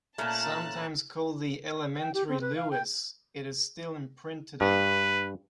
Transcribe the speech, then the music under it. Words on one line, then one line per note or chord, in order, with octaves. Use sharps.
Sometimes called the "Elementary Lewis," it is still in print today.
A#2 A3 C#4 F4 A5 A#5 F#6
G5
G4
C4
B4
F5
G5
G2 B4